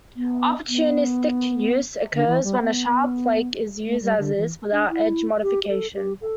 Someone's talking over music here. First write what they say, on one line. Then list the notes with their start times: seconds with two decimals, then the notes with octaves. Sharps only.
Opportunistic use occurs when a sharp flake is used as-is, without edge-modification.
0.16 B3
0.69 B3
2.13 D3
2.27 E3
2.44 G3
2.62 B3
3.84 A3
4.02 G3
4.19 D3
4.37 E3
4.72 D4
4.90 E4
5.43 G4
5.64 G4
5.69 A4
5.95 G4
6.21 A4